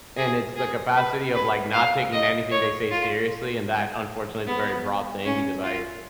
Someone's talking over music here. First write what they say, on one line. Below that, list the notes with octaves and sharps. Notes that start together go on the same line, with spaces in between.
And it's the capacity of, like, not taking anything they say seriously, and that unfortunately is a very broad thing because I
G#4
G#4
B4
B4
F5
D#5
C#5
F4
B3
C#4
F4